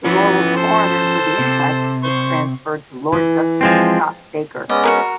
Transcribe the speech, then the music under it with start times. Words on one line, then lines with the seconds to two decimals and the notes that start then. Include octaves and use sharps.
The role of coroner for the inquests was transferred to Lord Justice Scott Baker.
0.05 E3 F3 B3 C#4
0.57 A4 C5
1.39 C3
2.04 C5 C6 C#6
3.12 E3
3.61 F3 G#3 C4
4.70 G#3 B3 C#4 D5 D#5
4.84 F#4 G#4 A#4